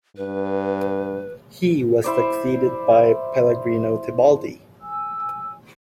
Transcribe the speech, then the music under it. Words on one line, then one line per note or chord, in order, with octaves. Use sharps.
He was succeeded by Pellegrino Tibaldi.
G2 B4
E4 C5 D5
G#5 E6